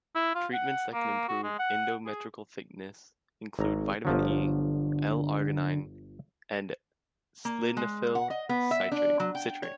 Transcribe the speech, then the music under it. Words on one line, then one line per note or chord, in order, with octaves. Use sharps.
Treatments that can improve endometrial thickness include Vitamin E, L-arginine and sildenafil citrate.
E4
F4
F#5
A#3
F#4
G#3
F#5
G#4
G#1 A#5
G1 D3 F3 F#3
A#3
G#3
F#5
D#5
B3
E5
D4
F#3
G5
C#5